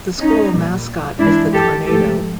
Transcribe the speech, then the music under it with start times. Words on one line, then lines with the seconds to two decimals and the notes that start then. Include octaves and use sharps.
The school mascot is the Tornado.
0.19 C#4 D#4
0.52 A#2 G3
1.19 G#2 E3 G#3 D4 E4
1.54 G4 A4
1.87 G#2 F3 A3 G4 A4